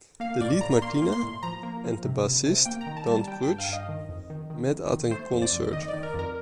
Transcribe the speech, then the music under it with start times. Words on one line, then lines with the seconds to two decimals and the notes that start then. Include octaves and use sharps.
The lead, Martina, and the bassist, Dan Kurtz, met at a concert.
0.20 A#3 F5
0.41 A2 D5
0.61 A2 A#5
0.82 A#3 C6
1.02 A#3
1.12 C6
1.23 A2
1.43 F3 A#5
1.63 A#3
1.84 F3
2.04 C3
2.25 C3
2.46 C3
2.65 A#3 G5
2.81 A#5
2.87 D#3
2.97 A5
3.06 G3
3.12 A5
3.27 G3 G5
3.43 G2 G5
3.58 F5
3.69 G2 D#5
3.89 D#3
4.09 F2
4.30 D#3
4.50 D#3
4.71 F2
4.91 D#3
5.11 A3 C5
5.32 F2
5.42 D5
5.53 F2
5.73 D#3 D#5
5.88 D5
5.93 D#3
6.03 A#4
6.14 F2 A#4